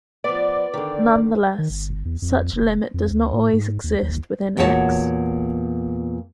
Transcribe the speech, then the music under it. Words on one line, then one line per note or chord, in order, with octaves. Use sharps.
Nonetheless, such a limit does not always exist within "X".
F3 B3 D5
D3 D#3
D#3
G1
E2
F2
F1
F2
D2
A2
G#2
D#2
D#2
E2 A#2 F#4 C#5 A5